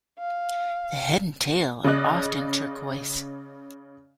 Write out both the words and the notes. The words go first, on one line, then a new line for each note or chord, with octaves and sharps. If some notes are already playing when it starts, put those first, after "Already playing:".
The head and tail are often turquoise.
F5
C#3 D5 D#5 F#6